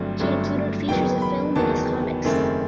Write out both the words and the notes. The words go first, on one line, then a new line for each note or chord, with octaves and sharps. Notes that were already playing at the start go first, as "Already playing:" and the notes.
He included features of film in his comics.
Already playing: G1 G2 F#3 A3 C4
G1 G2 F#3 A3 C4
F#1 E2 D#3 F#3 B3 G5
B5
F#1 E2 D#3 F#3 B3 A5
F#1 F#2 D#3 A3 C4